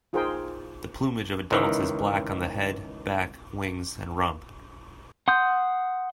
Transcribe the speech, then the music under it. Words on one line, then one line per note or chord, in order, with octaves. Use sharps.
The plumage of adults is black on the head, back, wings and rump.
D#4 F4 G#4 A#4 C5 G5
C#2 D#3 E3
F#5 C6 D#6 G6